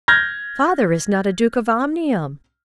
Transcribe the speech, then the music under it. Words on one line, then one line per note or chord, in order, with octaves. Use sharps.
Father is not a Duke of Omnium.
F6 G6 G#6 A#6